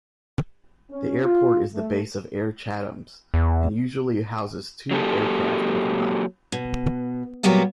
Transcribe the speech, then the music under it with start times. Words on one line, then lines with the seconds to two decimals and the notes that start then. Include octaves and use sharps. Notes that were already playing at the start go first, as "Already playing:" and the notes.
The airport is the base of Air Chathams and usually houses two aircraft overnight.
0.91 C#4
1.23 F4
1.75 A3
3.34 E2
4.91 F#3 A#3 G4 A4
6.52 B2
7.43 A#2 F#3 G3 A#3 B3 G4